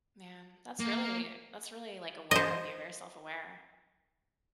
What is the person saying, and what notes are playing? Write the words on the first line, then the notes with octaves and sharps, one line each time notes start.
Man, that's really that's really, like, aware of you, very self-aware.
A#3
C5 D#5